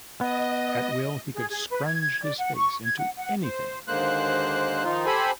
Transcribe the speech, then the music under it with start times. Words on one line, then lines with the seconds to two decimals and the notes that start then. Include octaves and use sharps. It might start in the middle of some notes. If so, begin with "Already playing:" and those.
At will, he could "scrunge" his face into anything.
0.21 B3 D#5
1.35 G#4
1.50 G#4
1.70 B4
1.85 G#6
2.23 D5
2.38 F#5
2.55 C#6
2.83 G#6
2.98 F#5
3.17 F#5
3.43 C5
3.88 D#2 D3 G#3 A#3 C5 F#6
4.84 D#3 F3 D#4 F4
5.06 G4 A4 C5 G#5 B5